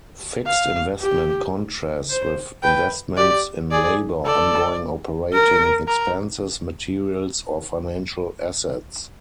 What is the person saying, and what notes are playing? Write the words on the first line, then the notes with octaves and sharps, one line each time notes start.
Fixed investment contrasts with investments in labour, ongoing operating expenses, materials or financial assets.
F5
G4
C5
B4 G5
G4 D5
G#4 D5
A4 D5
A#4
A#4